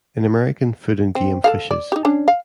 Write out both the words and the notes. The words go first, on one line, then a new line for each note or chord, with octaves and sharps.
In American Food and Game Fishes.
C4
A4 A#4 F5
D5
D#4 G4
C#4 D4
F5